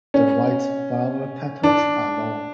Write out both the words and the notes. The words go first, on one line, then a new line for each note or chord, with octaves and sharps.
The white flower petals are long.
C#4
D4